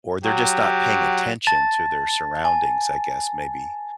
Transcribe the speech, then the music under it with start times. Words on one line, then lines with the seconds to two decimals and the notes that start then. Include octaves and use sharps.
or they're just not paying attention to their surroundings, I guess, maybe.
0.24 F#3 G4
1.47 A5 A6
2.45 G#5